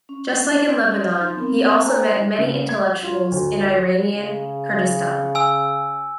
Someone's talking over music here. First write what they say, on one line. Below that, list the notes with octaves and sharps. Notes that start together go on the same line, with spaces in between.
Just like in Lebanon, he also met many intellectuals in Iranian Kurdistan.
C#4
D#4 C6
B3 C4 A#4
C5 G5 G#5 A#5
C#3
G#6
F4
D2
C#3
G#5 E6